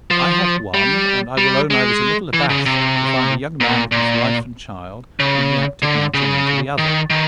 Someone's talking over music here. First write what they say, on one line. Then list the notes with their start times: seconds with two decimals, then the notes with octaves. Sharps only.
I had one; and I will own I was a little abashed to find a young man and his wife and child in the act of mounting into the other.
0.11 F3
0.74 G3
1.38 G3
1.71 G#3
2.33 E3
2.50 C#3
2.66 C3
3.61 A#2
3.92 A#2
5.20 C#3
5.83 D3
6.14 C#3
6.78 D#3
7.10 D#3